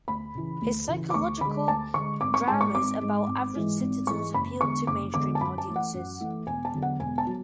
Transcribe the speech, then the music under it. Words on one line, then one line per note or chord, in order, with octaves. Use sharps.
His psychological dramas about average citizens appealed to mainstream audiences.
D2 B5
C#3 E3
D2
C#3 E3
D6
D2 C#6
D3 G#3 B5
D2 A5
D3 G#3 C#6
G#1 D6
C#6
G#2 G#3 A5
C#6
G#1 D6
G#2 G#3
G#1
G#2 E3 G#3
G#1
G#2 E3 G#3 C#6
F#1 B5
E2 D3 G#3 C#6
F#1 D6
E2 D3 G#3 D6
A5
F#2 B5
A5
E3 A3
F#5
F#2
E3 A3
E1 G#5
A5
E2 D3 F#3
F#5
E1 G#5
A5
F#3